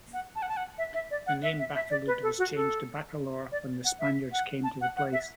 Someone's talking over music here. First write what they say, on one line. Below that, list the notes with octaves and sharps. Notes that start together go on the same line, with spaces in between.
The name Baculud was changed to Bacolor when the Spaniards came to the place.
F#5
A5
F#5
A5
F#5
E5
E5
D5
F#5
E5
E5
E5
D5
B4
A4
F#4
A4
D5
F#5
E5
F#5
A5
F#5
F#5
E5